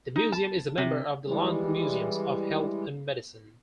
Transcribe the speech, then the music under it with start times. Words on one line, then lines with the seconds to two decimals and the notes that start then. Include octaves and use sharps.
The museum is a member of The London Museums of Health and Medicine.
0.16 D#4
0.32 A5
0.78 C3
1.27 E3 G3 G#3